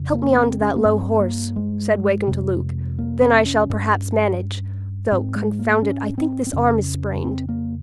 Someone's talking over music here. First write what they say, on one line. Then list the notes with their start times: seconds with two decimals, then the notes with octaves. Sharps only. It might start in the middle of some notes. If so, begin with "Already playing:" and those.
"Help me on to that low horse," said Wakem to Luke, "then I shall perhaps manage; though--confound it--I think this arm is sprained."
Already playing: F2 C#3
0.14 A#3
0.32 C#4
0.38 C4
0.61 C#4
0.76 A#3
0.85 G2 C4
1.20 A#3
1.56 G#3
2.28 F2 C3
2.99 A#3
3.22 C4
3.45 C#4
3.70 G2
5.12 G#2 C4
5.36 G#3
5.59 A#3
5.82 C#4
6.18 C4
6.47 C4
6.53 F2 C#3 C#4
7.24 C4
7.49 A#3